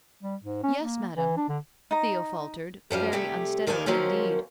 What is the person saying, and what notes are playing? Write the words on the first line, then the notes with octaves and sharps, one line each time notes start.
"Yes, madame," Theo faltered, very unsteadily, indeed.
G3
G#2
C#4
A#3
E3
D4
D3
D#4 A#5
F#2 F3 G3 F5
C3 G3 A3 G4 G#4
D#2 D#3 A4 D5 F5 G#5
D#3 F3 F#3 A#3 C4 C#4